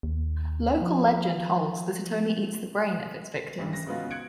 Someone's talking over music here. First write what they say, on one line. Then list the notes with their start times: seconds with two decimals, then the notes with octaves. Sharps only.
Local legend holds that it only eats the brain of its victims.
0.03 D#2
0.82 F3
3.58 A1 G2 C#3 E3
3.73 A#6
3.86 G#2 C#3 G#3 B3 F4 F#4
4.11 F#6 G#6 C#7 D7